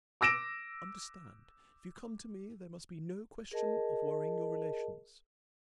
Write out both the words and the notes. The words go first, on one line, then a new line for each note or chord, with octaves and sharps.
But understand, if you come to me, there must be no question of worrying your relations.
D6 E6 A#6 D7 E7
G#4 A#4 D#5 A5